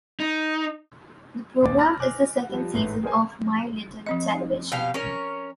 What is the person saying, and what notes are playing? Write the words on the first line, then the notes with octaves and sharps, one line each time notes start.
The program is the second season of "My Little Television".
D#4
A#1 D#2 D4 D6 A6
B5 D6 F6 F#6 A6 A#6
G#5 D6 F6 F#6
F3 G3
A1 G#2 A3 B4 C7
G#4 A#4 C5 G#5
F3 C4 D#5
B2 G4 F5
C#4 A#4 C#5